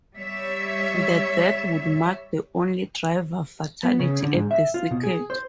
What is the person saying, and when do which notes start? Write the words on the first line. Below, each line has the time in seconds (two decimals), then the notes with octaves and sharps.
The death would mark the only driver fatality at the circuit.
0.16 G3 C#5 E5
3.83 B3
4.00 C#3
4.23 D3
4.35 G#2
4.51 E5
4.74 F4
4.91 B2
5.03 G#4
5.30 C5